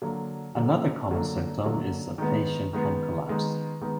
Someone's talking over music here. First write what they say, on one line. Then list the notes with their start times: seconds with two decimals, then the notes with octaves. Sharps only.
Another common symptom is a patient can collapse.
0.02 D3 F#3 A#3
0.57 D3 F#3 A#3
1.11 D3 F#3 A#3
1.64 D3 F#3 A#3
2.18 D#3 G#3 B3
2.73 D#3 G#3 B3
3.27 D#3 G#3 B3
3.81 D#3 G#3 B3